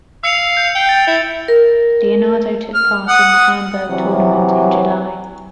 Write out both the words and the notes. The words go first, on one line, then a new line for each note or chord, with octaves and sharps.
Leonardo took part in the Hambourg Tournament in July.
F5 E6 C#7 F7
G6
G5
A6
E4
A#4
F6
F#5 D#6
C3 E3 F#3